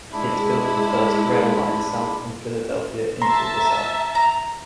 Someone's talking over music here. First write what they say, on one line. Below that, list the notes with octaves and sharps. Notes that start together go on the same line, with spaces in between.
It built the first rail line south from Philadelphia into The South.
G#3 D4 E4 B5
E5 A5 A#5 C6
A#5